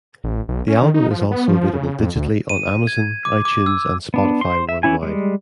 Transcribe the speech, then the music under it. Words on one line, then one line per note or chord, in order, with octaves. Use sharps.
The album is also available digitally on Amazon, iTunes, and Spotify worldwide.
A1
B1
C#4
D#3
D#4
F3
B3
F3
F3
C#3
F2
D2
D#7
G#6
D6
D6
E6
B3 D4
C5 C6
E5
E3 C#4 E4 G#5
G3 G#3